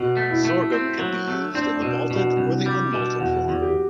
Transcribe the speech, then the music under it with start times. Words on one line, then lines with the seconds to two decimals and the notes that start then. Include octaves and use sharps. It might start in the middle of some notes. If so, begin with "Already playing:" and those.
Sorghum can be used in the malted or the un-malted form.
Already playing: B2 F#4
0.17 A3
0.30 E4
0.45 A3
0.72 C4
0.99 F#3
1.28 A3
1.54 C4 D4
1.76 D4
1.82 B2
2.11 B2
2.17 F#4
2.37 C2
2.66 G3
2.93 B2
3.20 E2 F#4
3.49 E2
3.62 G4